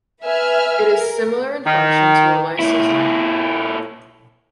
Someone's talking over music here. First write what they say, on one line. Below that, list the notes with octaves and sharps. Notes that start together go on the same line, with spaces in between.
It is similar in function to a lysozyme.
B4 E5 G#5 F6
A#4
D#3
A#2 E4